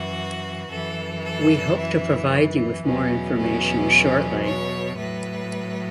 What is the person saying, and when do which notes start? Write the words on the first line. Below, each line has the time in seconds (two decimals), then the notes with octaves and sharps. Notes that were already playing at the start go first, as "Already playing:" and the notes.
We hope to provide you with more information shortly.
Already playing: F#2 E3 F#4
0.71 F#2 E3 A4
1.24 A4
1.78 E4
2.84 E2 B2 F#3 C#4
3.37 C#4
4.44 C#5
4.98 A2 F#3 B4